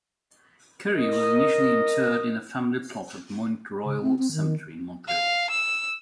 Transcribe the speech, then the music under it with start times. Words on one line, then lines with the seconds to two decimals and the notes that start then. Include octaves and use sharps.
Currie was initially interred in a family plot at Mount Royal Cemetery in Montreal.
0.93 A#4 D#5
3.85 C#3
4.02 C4
4.19 C4
4.32 D#3
5.08 F5
5.50 E6